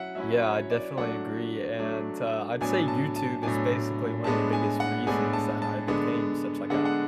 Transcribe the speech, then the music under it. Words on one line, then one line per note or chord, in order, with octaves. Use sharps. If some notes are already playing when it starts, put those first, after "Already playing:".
Yeah, I definitely agree, and, t uh, I'd say YouTube is basically one of the biggest reasons that I became such, like, a
Already playing: F#3 C#4 E4 E5 F#5
F#3 C#4 E4 E5
C#5
D5
F#3 A3 D4 F#5
F#3 A3 D4
A2 F#3 B3 D4 G#5
A5
A5
A2 F#3 B3 D4 G#5
A2 G#3 B3 D4 A5
G#5
F#5
A2 G#3 B3 D4 G#5
A5
A5
D3 G#3 B3 D4
D3 G#3 B3 D4 F#5
F#5